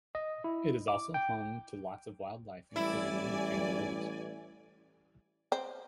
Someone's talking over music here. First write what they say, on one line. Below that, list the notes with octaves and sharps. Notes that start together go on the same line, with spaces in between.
It is also home to lots of wildlife including many kangaroos.
D#5
E4
D6
G5
A1 G3 E4 D5 G#5
C4